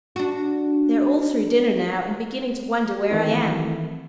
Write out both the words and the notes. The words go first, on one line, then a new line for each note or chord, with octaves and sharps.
They're all through dinner now, and beginning to wonder where I am.
D4 F#4
D#3 E3 A3 C4 E4